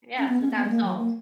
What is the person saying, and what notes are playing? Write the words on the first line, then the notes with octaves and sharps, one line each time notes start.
Yes, without salt.
C#4
B3
C#4
A#3
B3
G#3
A#3
F#3
A#3